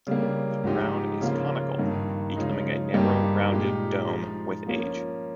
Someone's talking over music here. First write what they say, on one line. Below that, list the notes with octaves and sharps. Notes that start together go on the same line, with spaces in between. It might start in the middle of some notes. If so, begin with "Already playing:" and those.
The crown is conical, becoming a narrow rounded dome with age.
C#3 G3 A#3
G#2 F3 G#3 D#4 G4
C#3 F3 A#3 F4
G2 D#3 A#3 D#4
C#3 F3 G#3 D#4
G2 G3 A#3 D#4 G4
A#2 G#3 D#4 G4
F3 G#3 D#4
F3 A#3 C#4